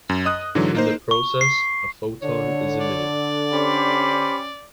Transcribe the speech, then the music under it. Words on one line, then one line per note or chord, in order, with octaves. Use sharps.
In the process, a photon is emitted.
F#2
D#5 D#6 F#6
G#2 D3 E3 F#3
A#3 D#4 C5
C#6
C7
D3 C#5
D5
C#4 G4 C5 B5